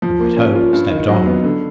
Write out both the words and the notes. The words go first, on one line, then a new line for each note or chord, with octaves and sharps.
The White Hope slept on.
F3
A#3
C#4
F4
G2
D#3
F#3
B3
D3